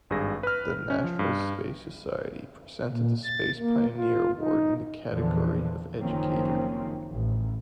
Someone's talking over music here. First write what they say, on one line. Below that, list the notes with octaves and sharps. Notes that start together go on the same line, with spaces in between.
The National Space Society presented the Space Pioneer Award in the category of Educator.
G#1 G2 G#4 A#6
B4 F6
C#4
F3
G2
A#2
A6
A#3
F4
D#4
E2 A#2 D3 E3 F3
F#1 D#3 F3 A#3 C4 C#4
A1